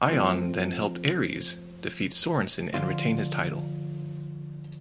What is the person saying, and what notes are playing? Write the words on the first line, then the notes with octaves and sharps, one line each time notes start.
Ion then helped Aries defeat Sorensen and retain his title.
F3 A3 C4
D3 F3 D4 F4